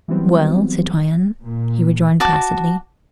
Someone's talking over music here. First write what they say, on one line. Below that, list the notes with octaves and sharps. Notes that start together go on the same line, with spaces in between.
"Well, citoyenne?" he rejoined placidly.
E3 F#3 G3 B3 C4
A#2
F#4 A5 D6